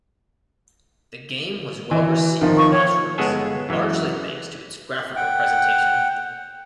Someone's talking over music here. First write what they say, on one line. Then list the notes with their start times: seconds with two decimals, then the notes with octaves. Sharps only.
The game was well received upon its release, largely thanks to its graphical presentation.
1.91 E3
2.41 D#3 F3
2.57 C#6
2.71 C#5
3.18 G1 G#3 B3 G#4 A4 G#5
3.69 F#2 E3 G#3
5.16 F#5 G5